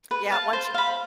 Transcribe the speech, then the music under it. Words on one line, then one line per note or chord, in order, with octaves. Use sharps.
yeah, once you
B4
F5 A5
C5
F5 B5